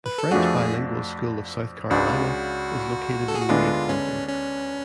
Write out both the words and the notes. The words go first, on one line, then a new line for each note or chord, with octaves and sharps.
The French Bilingual School of South Carolina is located in Wade Hampton.
B4
A4
F2 F3 A3 D4 F#4 G#4
C#2 C#3 G#3 D4 F#4
A4
G#4
F#4
D2 D3 G#3 B3 D4 F4
C#4
C#4